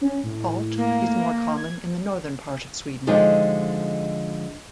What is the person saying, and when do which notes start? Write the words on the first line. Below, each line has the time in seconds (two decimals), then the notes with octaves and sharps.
Palt is more common in the northern part of Sweden.
0.01 C#4
0.24 A2
0.77 A#3
1.57 G#6
3.07 D3 F3 G#3 D#4 G4 A4